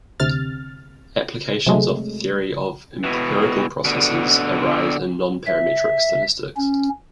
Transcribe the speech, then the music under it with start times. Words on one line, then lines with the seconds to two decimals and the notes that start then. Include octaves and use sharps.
Applications of the theory of empirical processes arise in non-parametric statistics.
0.20 D2 C3 F6 A6
1.66 C3 F#3 G#3 A3
3.04 B2 E3
3.85 B2 D3
5.47 E5
6.57 C#4